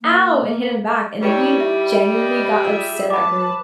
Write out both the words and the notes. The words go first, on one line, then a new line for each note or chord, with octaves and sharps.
"Ow!" and hit him back, and then he genuinely got upset at her,
A#3
G3 D#4 E4 G#4 B4 C#5 G5
E4 E5
B4 D#5
F4 G#4 E5
B4 A5 B5 D6